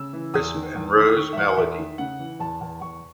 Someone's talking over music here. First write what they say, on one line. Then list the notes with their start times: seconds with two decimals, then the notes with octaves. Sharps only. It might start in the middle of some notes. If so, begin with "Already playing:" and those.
Crisp and Rose Meleady.
Already playing: C#3 E6
0.13 E3
0.34 E2 D#6
0.55 D#3
0.75 E2
0.96 D#3
1.10 D#6
1.16 D#3 C#6
1.33 E5
1.36 E2 F#5
1.48 F#5
1.57 E2 E5
1.78 D#3
1.98 C#3 F#5
2.19 E3
2.40 E2 A5
2.61 E2
2.81 E2 C#6